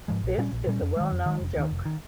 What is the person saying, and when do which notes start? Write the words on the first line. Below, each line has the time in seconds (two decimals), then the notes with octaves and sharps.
This is a well known joke.
0.08 G#2 F3 G#3
0.23 A#1
0.38 A#2 G3 C#4
0.52 A#1
0.67 A#2 G3 C#4
0.82 F2
0.97 D#3 G#3
1.12 F2
1.26 D#3 G#3
1.41 F1
1.56 D#2 D#3
1.71 F1
1.86 D#3